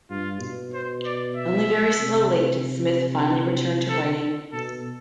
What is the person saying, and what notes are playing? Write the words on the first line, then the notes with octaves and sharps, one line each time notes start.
Only very slowly did Smith finally return to writing.
G2 F4
B2
C5
D5
E5
C3
A4
B2 A4